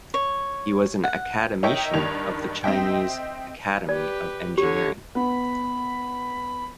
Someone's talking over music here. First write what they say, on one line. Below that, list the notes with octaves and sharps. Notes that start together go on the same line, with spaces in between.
He was an academician of the Chinese Academy of Engineering.
C#5
F#5
D#4 A#4 C#5 D#5 E5 G5
G2 D#3 G#6 F7
C4 D#5 E5 G5
G4 B4 D5
D3 G4 C#5
B3 B5